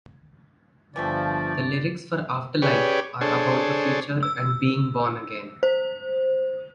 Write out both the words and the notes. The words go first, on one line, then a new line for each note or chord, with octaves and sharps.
The lyrics for "After Life" are about the future and being born again.
G1 D3 E3 F3 G3 A3 D5
C#4 G4 G#4 B4 C#5 D5
D4 G#4 A4 C5 C#5
E6
C5